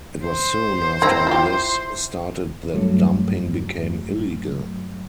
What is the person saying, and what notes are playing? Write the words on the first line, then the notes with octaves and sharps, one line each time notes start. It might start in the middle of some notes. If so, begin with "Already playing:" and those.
It was soon after this started that dumping became illegal.
C5
C4 E4 A#5
F4 G4
G2 F#3 A3